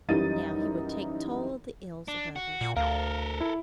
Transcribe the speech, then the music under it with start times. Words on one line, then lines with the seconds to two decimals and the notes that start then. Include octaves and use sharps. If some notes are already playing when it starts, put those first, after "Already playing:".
Now he would take toll of the ills of others.
0.08 F#2 E3 G3 D#4 A6 D#7
2.08 D4
2.36 F#4
2.61 A#2
2.77 D2 A4 A#4 F5
3.41 E4